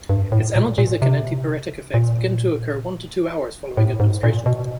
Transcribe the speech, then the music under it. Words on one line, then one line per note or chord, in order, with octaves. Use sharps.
Its analgesic and antipyretic effects begin to occur one to two hours following administration.
G2
A2
A#2
A#2
C3
A#2
A2
G#2
A#2
B2